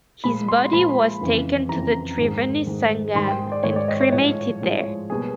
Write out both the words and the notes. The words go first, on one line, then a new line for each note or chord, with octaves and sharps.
His body was taken to the triveni sangam and cremated there.
A#2 F3 G#3 B5
C6
A#2 F3 G#3 B5
F2 C#3 E3
F2 C#3 E3 A#5
G#2 D#3 G#3
G#2 D#3 G#3
G#2 D#3 G#3 C6
G5
D5
G#2 D#3 G#3 C#5
D5
D#5
C#5
A2 F3 G#3 C#5
A2 F3 G#3
B2 G3 A#3 G#4